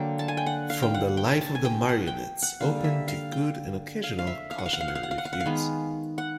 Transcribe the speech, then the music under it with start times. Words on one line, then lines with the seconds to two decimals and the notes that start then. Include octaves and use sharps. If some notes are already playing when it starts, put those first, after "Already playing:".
"From the Life of the Marionettes" opened to good and occasional cautionary reviews.
Already playing: D3 F#3 A#3 G5
0.19 A5
0.28 G#5
0.37 G5
0.46 F#5
0.70 F5
0.83 G5
0.94 F#5
1.17 G5
1.41 A5
1.55 G#5
1.65 G5
1.89 F#5
2.07 G5
2.42 F#5
2.60 D3 G3 A#3 F5
2.84 E5
3.08 F5
3.32 G5
4.04 F5
4.19 F5
4.27 E5
4.51 F5
4.58 F#5
4.66 F5
4.73 F#5
4.80 F5
4.88 F#5
4.95 F5
5.03 F#5
5.11 F5
5.18 F#5
5.25 F5
5.33 F#5
5.40 F5
5.46 D#3 G#3 B3
6.18 F#5